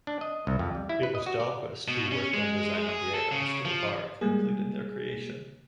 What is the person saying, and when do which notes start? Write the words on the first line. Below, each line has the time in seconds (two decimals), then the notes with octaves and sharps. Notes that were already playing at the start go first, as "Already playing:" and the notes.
It was Dahlquist who worked on designing the items while Barve completed their creation.
0.07 D4
0.21 D#5
0.47 C2
0.59 F2
0.75 G3
0.89 E4
1.03 B4
1.15 D#5
1.26 F#4
1.40 D5
1.88 B2
2.12 C#4
2.34 G#3
2.89 G#4
3.14 A4
3.31 C#3
3.65 F3
4.21 G3 G#3 A#3 G#4